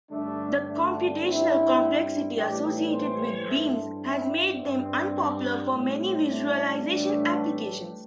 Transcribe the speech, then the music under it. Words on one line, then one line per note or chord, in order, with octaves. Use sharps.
The computational complexity associated with beams has made them unpopular for many visualization applications.
G2 D3 G3 A3 D4
A3 D4
G2 G3 C4 E4
A2 E3 G3 D4 G4
A4 D5
G4 C5
G2 G3 E4 A4
C4 E4
G2 G3 C4
A2 G3 C4
C4
A3 D4
A2 E3 G3 A3 D4